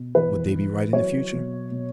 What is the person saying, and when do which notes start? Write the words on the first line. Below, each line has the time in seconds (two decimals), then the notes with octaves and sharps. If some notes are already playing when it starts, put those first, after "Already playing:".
Would they be right in the future?
Already playing: B2
0.15 E3 B4
0.54 E3
0.93 F#3 C#5
1.32 B2
1.71 B2